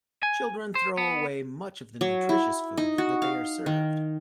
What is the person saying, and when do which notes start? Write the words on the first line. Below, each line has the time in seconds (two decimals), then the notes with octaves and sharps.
Children throw away much of the nutritious food that they are served.
0.23 G#5
0.75 C5
0.97 B3
2.01 F#3
2.29 E4
2.77 D#4
2.98 F#4
3.22 F5
3.66 D#3